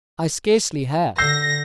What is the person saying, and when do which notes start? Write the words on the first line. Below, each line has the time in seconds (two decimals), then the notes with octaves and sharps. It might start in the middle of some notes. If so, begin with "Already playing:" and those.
"I scarcely have."
1.18 D3 E6 G6 A#6 C7